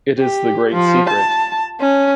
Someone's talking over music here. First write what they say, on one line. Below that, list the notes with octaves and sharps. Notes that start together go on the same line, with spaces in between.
It is the Great Secret.
G4
F3
A5
C#4